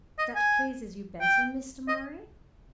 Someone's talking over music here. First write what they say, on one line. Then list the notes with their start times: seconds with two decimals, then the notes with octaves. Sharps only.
"That pleases you better, Mr. Murray?"
0.18 D#5
0.35 G#5
1.20 G5
1.88 D#5